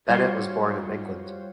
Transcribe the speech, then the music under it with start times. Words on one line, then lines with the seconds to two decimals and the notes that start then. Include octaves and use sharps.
Bennett was born in England.
0.09 G3 F4 F#4 C5 C#5